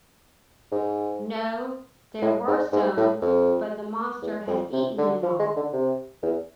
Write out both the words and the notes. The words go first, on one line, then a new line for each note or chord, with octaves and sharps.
No; there were some, but the monster has eaten them all.
G#2
A2
G#2
G#2
A2
F2
E2
F2
C3
D3
F3
G#3
D3
C3
E2